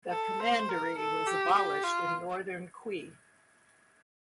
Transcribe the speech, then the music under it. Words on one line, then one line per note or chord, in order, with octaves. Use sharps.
The commandery was abolished in Northern Qi.
A4
C5
A#4
A4
G4
G4
F4